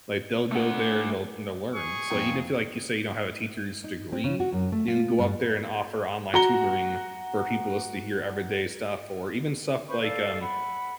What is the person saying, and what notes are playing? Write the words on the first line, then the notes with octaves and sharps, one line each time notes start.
Like, they'll go there and they'll and they'll learn. So, like, even if you, like, you say you don't have a teacher's degree, you can go up there and offer online tutoring for people as to hear everyday stuff or even stuff like, um
A3 F#5
G#4 C#6
F2 A#2 G5
D#4
C4
C#3
F#4
F#2
A3
F4
G2
F#4 F#5 A#5 G7
B4 C5 B5 C#6
A4 D5 F5
F#5 B5